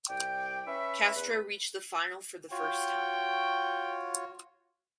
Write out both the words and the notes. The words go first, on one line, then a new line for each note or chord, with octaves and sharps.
Castro reached the final for the first time.
C2 D5 G5
C#4 B4 E5
E2 B4
F4 F#4 C#5 G5